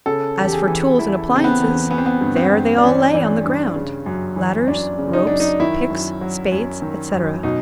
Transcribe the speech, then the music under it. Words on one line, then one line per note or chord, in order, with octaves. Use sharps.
As for tools and appliances, there they all lay on the ground--ladders, ropes, picks, spades, etc.
C#3 A4
E2
G4
G#4
E3
E2 E4
C#3
C4
B3
E2
E3 B3
C4
B3
G2
C4
G2
D4
E3 C#4
E3
G2
C#3
F#2
E3
F#2 D4
C#3
D#4
F#2 D4
D#4
D#3 E4
F#2
F#3
F#2
D#3
F#2
B2 D#4